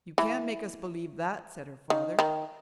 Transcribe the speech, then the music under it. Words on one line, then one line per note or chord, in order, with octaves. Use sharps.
'You can't make us believe that,' said her father.
E3
D#3
D#3